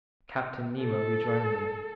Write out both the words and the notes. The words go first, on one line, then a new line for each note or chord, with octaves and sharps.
Captain Nemo rejoined me.
A4